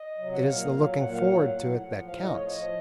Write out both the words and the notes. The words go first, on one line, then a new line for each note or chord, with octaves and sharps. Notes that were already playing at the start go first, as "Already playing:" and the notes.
It is the looking forward to it that counts.
Already playing: D#5
C3 F#3
F#5
A#2 F5
F#3
A#2 F#5
F5
F#3 F#5
A2
F3
A2 F5
D#5
F3 C#5
D#5